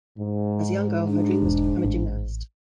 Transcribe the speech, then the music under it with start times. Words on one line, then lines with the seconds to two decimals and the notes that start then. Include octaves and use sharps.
As a young girl, her dream was to become a gymnast.
0.17 G#2
1.09 D4
1.42 E1
1.85 A1